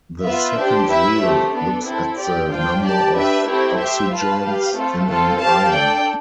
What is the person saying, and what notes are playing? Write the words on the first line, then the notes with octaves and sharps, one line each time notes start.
The second rule looks at the number of oxygens in an ion.
B3 F4 B4 E5
D4 G4 C5
E4 B4 E5
A3 C4 G4
B3 D4 A4
C4 E4 A4
G4 D5 G5
D4 F4 C5 G5
G4 D5 A5
D4 G4 B4 E5
A3 C4 E4 G4
G4 C5 E5
F4 B4 F5 A5
G4 B4 F5
A3 C4 F4 A4
C4 F4 A4
G4 C5 F5 A5
D4 A4 D5 G5